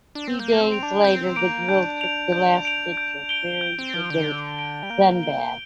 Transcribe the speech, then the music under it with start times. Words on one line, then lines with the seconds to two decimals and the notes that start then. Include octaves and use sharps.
Two days later the girls took the last picture, "Fairies and Their Sun-Bath".
0.15 D4
0.28 C4
0.39 A#3 G6
0.61 C4
0.72 D7 F7
0.83 D4
1.04 C4 G6
1.36 A#3 D7 F7
1.69 D4 G6
2.01 D7 F7
2.33 G6
2.65 D7 F7
2.97 G6
3.29 D7 G7
3.61 C4 G6
3.79 C4
3.94 F3 D7 G7
4.10 D3
4.26 G6
4.58 D7 G7
4.83 G3
4.90 A#3 G6
5.23 D7 G7